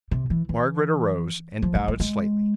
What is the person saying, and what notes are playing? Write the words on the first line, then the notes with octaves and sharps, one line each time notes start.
Margaret arose and bowed slightly.
C3
E3
E3
F3
G#3
G#3
G#3